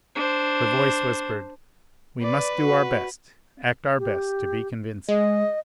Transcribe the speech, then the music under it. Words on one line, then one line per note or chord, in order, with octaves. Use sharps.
Her voice whispered, "We must do our best, act our best to be convincing."
D4 C5
B4 D5
F#4
G4
G#3 D#5